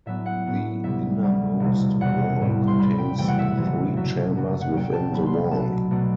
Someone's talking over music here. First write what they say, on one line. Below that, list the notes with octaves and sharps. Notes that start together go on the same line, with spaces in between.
The innermost wall contains three chambers within the wall.
A2 F#3 B3 D4 E5
F#5
A2 F#3 B3 D4
D2 C3 G3 E5
D2 C3 G3
E1 E2 C3 E3
E1 E2 C3 E3 F#5
A2 G3 C4
C6
A2 G3 C4 B5
G5
F#1 E2 C3 E3 A3 G5
F#5
E5
F#5
F#1 E2 C3 E3 A3
F#1 F#2 F#3 A3 E5
F#1 F#2 F#3 A3
F#5
D2 C3 F#3 G5
A5
D2 C3 F#3 B5
C6
B5
B1 B2 A3 D4 A5
B1 B2 A3 D4